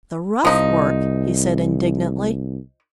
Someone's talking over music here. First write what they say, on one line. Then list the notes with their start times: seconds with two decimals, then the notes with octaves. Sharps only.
"The rough work!" he said indignantly.
0.45 C2 F3 D#4